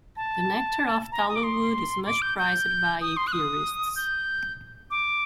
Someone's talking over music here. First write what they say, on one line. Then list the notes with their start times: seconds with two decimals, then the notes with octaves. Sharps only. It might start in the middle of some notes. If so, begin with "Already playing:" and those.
The nectar of tallowwood is much prized by apiarists.
0.17 A5
1.12 A#5
1.28 D#6
1.36 D6
1.43 C6
2.06 D6
2.22 G6
2.38 G6
3.01 D#6
3.17 C6
3.27 F#6
3.32 D#6
3.96 G6
4.90 D6